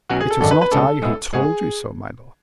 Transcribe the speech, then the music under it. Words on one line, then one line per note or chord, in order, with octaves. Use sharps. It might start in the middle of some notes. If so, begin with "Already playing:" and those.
"It was not I who told you so, my lord."
B1 B2 F#3 C#4 F#4
G#4
A4
G#1 F#2 D3 G#3 D4 A4
B4
B4
C#2 C#3 G#3 D4 A4
G#2 G#3 B3 E4
G#2 G#3 B3 F#4 G#4